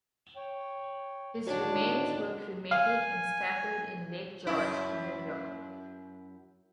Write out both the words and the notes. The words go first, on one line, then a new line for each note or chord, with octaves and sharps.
His remains were cremated and scattered in Lake George, New York.
C#5 G5
A2 D3 D#3 D4 F#4 C#5
F5 G#5
F#2 E4